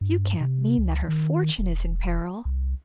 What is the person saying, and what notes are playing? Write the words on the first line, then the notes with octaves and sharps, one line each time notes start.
"You can't mean that her fortune is in peril?"
G2
C3
C#2
D#3
E1
C2